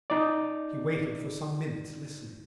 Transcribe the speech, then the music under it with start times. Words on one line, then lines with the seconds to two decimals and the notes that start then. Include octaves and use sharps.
He waited for some minutes listening.
0.10 D#4 D5